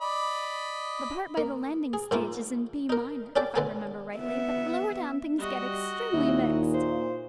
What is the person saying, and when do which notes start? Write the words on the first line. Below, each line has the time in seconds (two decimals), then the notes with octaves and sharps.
The part by the landing-stage is in B minor, if I remember rightly, but lower down things get extremely mixed.
0.01 D5 D#5 B5
1.37 A#3
1.93 G#4
2.11 G#2 A3 A#3 E4 F4
2.90 D#4 A#4
3.36 C#4 D4 G4 A4 D5
3.55 D3 B3 A4 G#5
4.17 B3 E5
5.39 G3 F#4 D#5
6.14 D#2 A#2 E4
6.74 C5